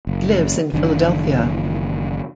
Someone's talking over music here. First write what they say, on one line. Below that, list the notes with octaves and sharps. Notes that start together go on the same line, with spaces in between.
He lives in Philadelphia.
F#1
F#1 D#3 E3 D4